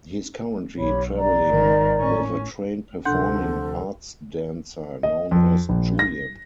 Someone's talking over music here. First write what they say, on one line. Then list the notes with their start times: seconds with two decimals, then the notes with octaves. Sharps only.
He is currently traveling with a trained performing arts dancer known as Julian.
0.78 B1 G4 C#5 B5
1.16 D5 A#5
1.47 G#1 D#3
1.96 A2 C#4
3.05 D2 C3 F3 D4 A4 F#5 C6 G6
5.03 D#5
5.31 F2
5.69 A#1
5.99 A#6